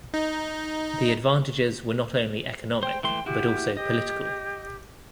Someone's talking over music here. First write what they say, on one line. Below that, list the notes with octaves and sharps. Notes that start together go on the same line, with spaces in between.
The advantages were not only economic, but also political.
D#4
C5 G5
E3 A3 G5 C6
E4 F#4 G4
G4 D#5